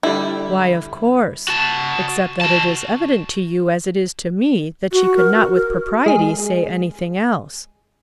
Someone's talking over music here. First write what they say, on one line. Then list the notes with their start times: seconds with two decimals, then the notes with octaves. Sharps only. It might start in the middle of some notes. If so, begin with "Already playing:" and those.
"Why of course;--except that it is evident to you as it is to me that she could not with propriety say anything else."
0.03 D3 G3 E4
1.48 F#4 A5
2.41 F#4 A5
4.92 F#4
5.17 A#4
5.34 F#4
5.55 A#4
6.06 G#3 G#4